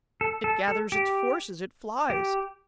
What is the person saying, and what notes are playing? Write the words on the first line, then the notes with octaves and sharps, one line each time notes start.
It gathers its forces, it flies!
A4
A4
A4
G4
G4